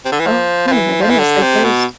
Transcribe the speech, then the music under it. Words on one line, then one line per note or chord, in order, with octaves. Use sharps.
"Oh my goodness, like, there's"
C3
D3
E3
F3
F3
E3
F3
E3
D3
C3
B2